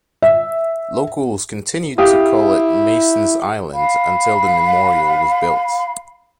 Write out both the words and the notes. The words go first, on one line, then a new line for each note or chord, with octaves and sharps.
Locals continued to call it "Mason's Island" until the memorial was built.
E5
E4 G4 F5 D#6
F5 B5